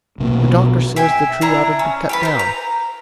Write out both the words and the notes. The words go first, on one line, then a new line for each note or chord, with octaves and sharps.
"The doctor says the tree ought to be cut down."
B1 B2 A#3
E5 G5 G#5
D4 E4 A#5
C#4
G4 A4 B4
A#4 C5
A#5